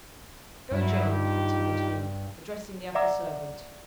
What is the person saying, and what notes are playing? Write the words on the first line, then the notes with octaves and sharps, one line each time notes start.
Go Jane!' continued he, addressing the upper-servant.
G2 F#3 E4
D#4 F4 G4
D5 E5 F#5 A#5 D6 E6